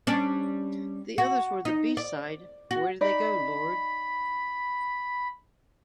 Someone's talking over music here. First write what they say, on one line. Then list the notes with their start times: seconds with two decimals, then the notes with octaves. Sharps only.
The others were the B-side Where Did They Go, Lord?
0.07 G3 C#4 D4
1.18 F#4
1.65 D#4
1.97 D5
2.71 F#4
3.01 D#4 D5 B5